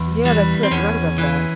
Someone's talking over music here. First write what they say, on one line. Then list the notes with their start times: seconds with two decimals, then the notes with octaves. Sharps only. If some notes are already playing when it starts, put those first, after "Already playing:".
Yeah, that too. I forgot about that.
Already playing: E2
0.25 E3 G3
0.63 C4
0.71 E2 C#4
1.18 E3